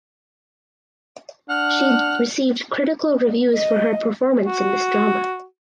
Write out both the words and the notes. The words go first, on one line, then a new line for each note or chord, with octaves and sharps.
She received critical reviews for her performance in this drama.
D4 F#5 F6
D#5
F#4